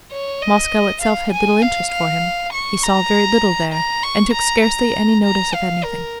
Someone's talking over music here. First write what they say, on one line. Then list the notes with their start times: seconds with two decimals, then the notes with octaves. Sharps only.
Moscow itself had little interest for him; he saw very little there, and took scarcely any notice of anything.
0.11 C#5
0.42 D#5
1.01 F5
1.32 G#5
1.62 F5
1.92 F5
2.53 C#6
2.82 A#5
3.73 A#5
4.03 C#6
4.33 A#5
4.63 A#5
5.24 A#5
5.54 F5
5.83 A#4